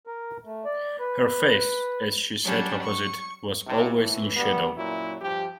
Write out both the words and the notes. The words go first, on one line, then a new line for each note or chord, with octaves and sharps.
Her face, as she sat opposite, was always in shadow.
A#4
A3
D5
B4
F#3 G3 C#4 D4
C#6
C2 C3
A2 E3
D2 G3 B3
F#2 A#2 F#3 E4
G2 F3 G4